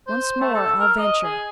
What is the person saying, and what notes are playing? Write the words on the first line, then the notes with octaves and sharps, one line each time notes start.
Once more I'll venture.
C5
A3
A4
A#4
D#5
G#4